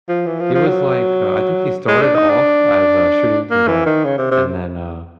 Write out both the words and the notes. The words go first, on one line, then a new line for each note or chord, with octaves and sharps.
he was, like, uh I think he started off as a shooting guard, and then, uh,
F3
E3
F3
F3
F#3
G#3
D4
D#4
D4
A#3
E3
D#3
C#3
C3
C3